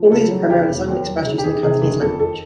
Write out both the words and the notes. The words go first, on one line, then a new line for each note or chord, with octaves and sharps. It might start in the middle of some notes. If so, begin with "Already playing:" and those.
All of these are primarily sung and expressed using the Cantonese language.
Already playing: F3
C#3 A4
F#3
C#3 G4
E1
D#2
F#3
C#3
G4
D#3 G#4
C3 G#4
F#1 G#4
F2 A4
D#3 A4